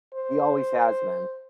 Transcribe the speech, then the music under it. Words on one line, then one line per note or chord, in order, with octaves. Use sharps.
He always has been.
C5